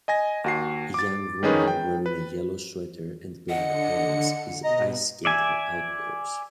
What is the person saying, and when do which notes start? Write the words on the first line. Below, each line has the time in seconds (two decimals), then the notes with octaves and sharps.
A young woman wearing a yellow sweater and black pants is ice skating outdoors.
0.08 D#5 G#5 A#6
0.44 D#2 F#4 C7
0.94 D6 A6
1.43 D#3 G#3 C#4 D#4 G#4 B4
1.67 G5
2.06 B4
3.50 D3 D#5 F#5 C#7
4.64 B2 D#5 A#5
5.25 D5 E5 G#5